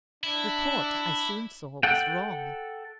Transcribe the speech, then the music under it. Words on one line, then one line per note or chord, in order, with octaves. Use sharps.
Report, I soon saw, was wrong.
D4 E4
A4 F#5 G5